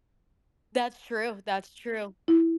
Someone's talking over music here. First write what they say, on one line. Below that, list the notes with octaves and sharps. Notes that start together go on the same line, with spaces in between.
That's true, that's true.
E4